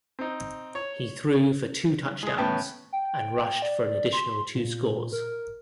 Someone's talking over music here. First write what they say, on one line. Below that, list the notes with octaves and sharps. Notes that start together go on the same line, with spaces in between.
He threw for two touchdowns and rushed for an additional two scores.
C4 D#4
C#5
G#3 G#4
A2 B3 C#4 G5 A5
G5
D5
C6
A#2
A#4